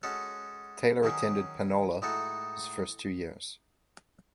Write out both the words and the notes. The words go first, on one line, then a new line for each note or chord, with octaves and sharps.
Taylor attended Panola his first two years.
G#3 C#4 F#4 A4
D#3 F#3 C#4 G#4
A2 G#3 D#4 F#4 A4